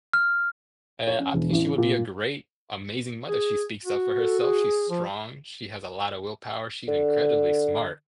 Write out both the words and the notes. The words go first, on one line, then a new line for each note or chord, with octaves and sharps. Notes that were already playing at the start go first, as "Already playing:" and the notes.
Eh, I think she would be a great, amazing mother; she speaks up for herself, she's strong, she has a lotta willpower, she's incredibly smart.
F6
C#5
C#4
E1
A1
A#2
G#4
F#4
A4
G#4
F3
D3